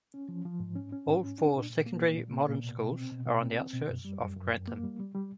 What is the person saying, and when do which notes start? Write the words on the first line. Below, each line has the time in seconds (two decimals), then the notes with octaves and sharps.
All four secondary modern schools are on the outskirts of Grantham.
0.14 C#4
0.29 F3
0.45 F3
0.60 G#2
0.75 C#4
0.92 C#4
1.07 G#2
1.23 C#4
1.38 D4
1.55 A#2
1.70 A#2
1.86 A#3
2.02 A#2
2.17 A#2
2.32 A#3
2.49 A#2
2.64 B2
2.80 B2
2.96 C4
3.12 B2
3.26 B2
3.42 C4
3.58 C4
3.74 B2
3.89 F#2
4.05 G3
4.20 F#2
4.37 F#2
4.52 F#2
4.68 A#3
4.84 G3
4.99 G3
5.15 G3